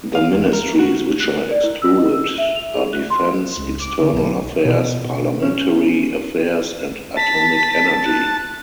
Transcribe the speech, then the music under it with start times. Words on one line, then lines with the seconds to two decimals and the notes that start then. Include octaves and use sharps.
The ministries which are excluded are defence, external affairs, parliamentary affairs and atomic energy.
0.15 F5
0.33 E2
0.53 A#4
0.79 F#4
1.20 F#6
1.35 A#4
1.51 D5
1.64 E4
1.82 E6
1.98 D#5
2.12 E6
2.38 E5
2.56 F7
2.74 G#4
2.93 F#6
3.10 C6
3.57 C#2
3.80 D6
4.00 D3
4.12 B1
4.65 B2
5.05 B2
5.43 C#4
7.17 A5 B6
8.05 F#6